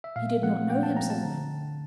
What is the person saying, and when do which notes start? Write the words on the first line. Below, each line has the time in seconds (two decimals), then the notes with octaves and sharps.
He did not know himself.
0.04 E5
0.16 A#2 F5
0.42 F3 A3 C4 F#5
0.70 A#2 G5
0.83 A5
0.96 F3 A3 C4 A#5
1.10 A5
1.24 D3